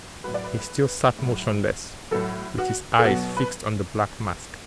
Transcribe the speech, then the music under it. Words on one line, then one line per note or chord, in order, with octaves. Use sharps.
He still sat motionless, with his eyes fixed on the black mask.
A2 F#3 B4
D5
B4
A2 F#3
A2 F#3 A4
F#4
A4
B2 F#3 F#4
B4